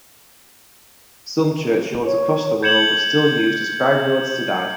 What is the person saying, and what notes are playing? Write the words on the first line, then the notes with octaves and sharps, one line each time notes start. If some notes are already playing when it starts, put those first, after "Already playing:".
Some churchyards across the world are still used as graveyards today.
C#5
G6 G#6 C#7 E7 F#7